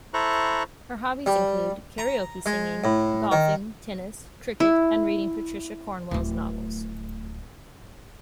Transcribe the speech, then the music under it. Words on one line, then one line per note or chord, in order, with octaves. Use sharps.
Her hobbies include: karaoke singing, golfing, tennis, cricket, and reading Patricia Cornwell's novels.
E4 A4 C5 A#5 C#6 F#6
G3
A#5
G#3
A2
D#3
E4
D1 A3